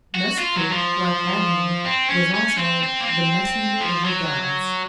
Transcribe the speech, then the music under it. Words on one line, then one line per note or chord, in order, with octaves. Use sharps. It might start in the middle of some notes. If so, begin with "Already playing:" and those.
Nusku, like Agni, was also the "messenger of the gods".
F#4
F4
F#3
F3
C4
C#4
C#4
C4
C4
A#3
C4
F3
F#3